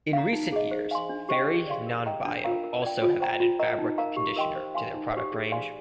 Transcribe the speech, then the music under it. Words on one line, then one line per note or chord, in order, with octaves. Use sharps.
In recent years, Fairy Non-Bio also have added fabric conditioner to their product range.
F5 A#5
D#4
G#4 D#5
C5
F5 G#5 C6
D4
G4 C5 D#5 G5
G#4
D5 F5 C6
A#4
D#5 G5 A#5
D4
F4 A#4 F5 A#5
A#4
D5 G5
F4
C5 G5 A#5
F4
A#4 D#5 A#5
D#4
A#4 F5 A#5
G4
A#4 D#5 G5 C6
C5
F5 G#5 C6
D#4
G4 C5
G#4
D5 F5 G#5 C6